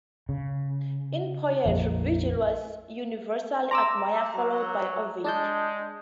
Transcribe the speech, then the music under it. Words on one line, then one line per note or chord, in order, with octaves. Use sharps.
In poetry, Virgil was universally admired, followed by Ovid.
C#3
A#1 F2 F3 A#3
A#5 C6 D6 E6
F#3
G#3 D4 A5 G6